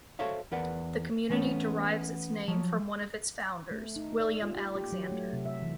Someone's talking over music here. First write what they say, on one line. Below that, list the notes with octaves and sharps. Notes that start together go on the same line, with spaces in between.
The community derives its name from one of its founders, William Alexander.
F#4 A4 C5 C#5 E5 F5
E2 A#4 B4 D5 F#5
E3 A3 B3 C#4
F3 F#3
A3
D#4
D5
F4
G4
G4
F#3
A3
C3
E5
E3